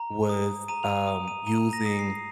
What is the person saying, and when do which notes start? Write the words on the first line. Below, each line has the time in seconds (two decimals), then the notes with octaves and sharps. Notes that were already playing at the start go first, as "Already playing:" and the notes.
was, um, using
Already playing: A#5
0.29 D#6
0.68 A#5 D#7
0.83 F7
0.88 D#7
1.07 D#6
1.28 D#7
1.47 A#5 D#7
1.73 A#6
1.86 D#6
1.99 C7